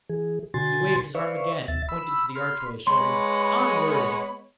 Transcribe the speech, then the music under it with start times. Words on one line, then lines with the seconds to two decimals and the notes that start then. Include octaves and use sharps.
He waved his arm again and pointed to the archway, shouting "Onward!"
0.10 E3 G#4
0.54 B2 D3 F#4 G#5 C6 A6
1.15 B4 C5 D5 E5 F5 C#6
1.68 D#2 E5 A6
1.89 B5 E6
2.35 B5 C6 F6
2.87 G#3 B3 C#5 B5 C6